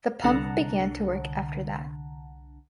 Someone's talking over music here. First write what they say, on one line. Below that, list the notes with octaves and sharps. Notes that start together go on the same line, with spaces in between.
The pump began to work after that.
C2 D3 F#5 A5 A#5